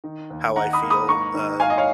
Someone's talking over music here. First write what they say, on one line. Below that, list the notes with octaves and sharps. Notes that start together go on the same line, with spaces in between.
how I feel. Uh,
D#3
D#2
D#3 F#5 A#5
B5 D#6
A#3
B5 D#6
G#2 A#5 C#6
D#3
G#1 F5 G#5
D#5
C#5 F5